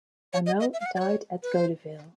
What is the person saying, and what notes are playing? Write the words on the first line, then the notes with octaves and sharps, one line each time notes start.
Arnault died at Goderville.
C#5
D#5
D#5
E5
F5
F#5
D5
C#5
B4
C5